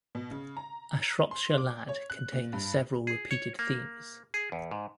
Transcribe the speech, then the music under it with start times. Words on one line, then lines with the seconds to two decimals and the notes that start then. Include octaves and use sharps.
"A Shropshire Lad" contains several repeated themes.
0.15 B2
0.31 C#3
0.57 A#5
1.31 C6
1.58 D6
1.89 C#5
2.10 F#6
2.32 A#2
2.53 G2
3.07 G#4
3.31 C#5
3.59 A#3
4.34 G#4
4.52 E2
4.71 G#2